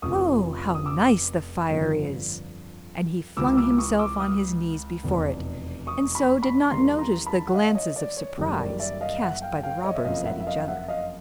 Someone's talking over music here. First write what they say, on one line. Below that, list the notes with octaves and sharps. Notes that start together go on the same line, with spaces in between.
Oh, how nice the fire is!' And he flung himself on his knees before it, and so did not notice the glances of surprise cast by the robbers at each other.
F1 F2 C#3 F3 C#6 D#6
D#6
D6 E6
G1 F2 D3 F3
C#2 C3 E3 D6 E6
D6 E6
C#6 D#6
D6 E6
D#6 F6
F1 E2 B2
C#6 D#6
B5 C#6
B5 C#6
C#6
D#2 C#3 E3 G3 A#5 C6
A#5 C6
A5 B5
F#5
D#5 F5
C#5 D#5
D5
C#5
F#1 F#2 D#3 G3
D5
D5 E5
D#5 F5
E5 F#5
F5 G5
F5 G5
C#5 D#5
E5
F#1 F2 C#3 D#5 F5
E5 F#5
E5
D#5 F5
E5 F#5
D#5 F5